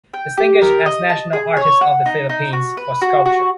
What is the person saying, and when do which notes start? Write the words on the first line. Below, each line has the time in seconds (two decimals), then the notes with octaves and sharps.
Distinguished as National Artist of the Philippines for Sculpture.
0.14 G5
0.38 G4
0.62 A#4
0.86 D#5
1.09 A5
1.33 G#4
1.57 C#5
1.81 F#5
2.06 D#4
2.29 D#4
2.53 F#4
2.77 B4
3.02 F#4
3.26 F#4